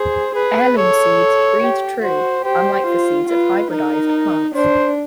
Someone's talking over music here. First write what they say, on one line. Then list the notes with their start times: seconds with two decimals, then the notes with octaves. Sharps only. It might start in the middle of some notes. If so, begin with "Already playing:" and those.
Heirloom seeds "breed true," unlike the seeds of hybridized plants.
Already playing: G#4 C5
0.35 G#4 B4
0.77 A4 C#5
1.61 G4
2.03 F#4 C5
2.45 G4 C5
2.87 F4
3.29 F4 B4
3.71 D#4 A#4
4.55 D4 C5